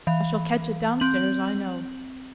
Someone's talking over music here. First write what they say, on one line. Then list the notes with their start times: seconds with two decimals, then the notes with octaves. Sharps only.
I shall catch it down stairs, I know.
0.07 E3 F5
1.00 C4 F#7